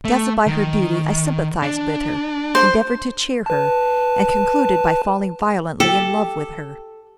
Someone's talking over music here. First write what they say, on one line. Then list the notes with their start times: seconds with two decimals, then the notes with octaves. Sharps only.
Dazzled by her beauty, I sympathised with her, endeavoured to cheer her, and concluded by falling violently in love with her.
0.05 A3
0.47 D#3
1.62 D4
2.55 C5
3.46 B4 A5
5.80 G4 A4